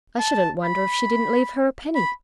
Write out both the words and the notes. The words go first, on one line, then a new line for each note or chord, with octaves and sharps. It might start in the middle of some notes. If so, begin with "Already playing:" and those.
I shouldn't wonder if she didn't leave her a penny.
A5
B5
B5